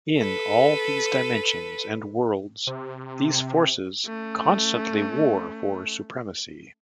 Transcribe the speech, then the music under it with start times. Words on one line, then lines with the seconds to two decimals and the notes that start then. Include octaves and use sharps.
In all these dimensions and worlds, these forces constantly war for supremacy.
0.17 A4 B4
2.67 C3
4.06 A3 C#4